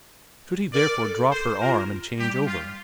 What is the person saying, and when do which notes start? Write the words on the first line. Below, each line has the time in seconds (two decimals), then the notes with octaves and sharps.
Should he therefore drop her arm and change over?
0.73 A#4 D5
0.88 A#4
1.03 A4
1.31 C5
1.60 F4 A#4
2.17 G3 G4
2.47 F4